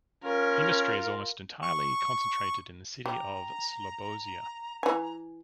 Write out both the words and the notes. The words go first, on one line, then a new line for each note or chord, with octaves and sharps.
Industry is almost entirely concentrated in the city of Slobozia.
C#4 F4 A#4
C#6
G4 A#5
E3 G#5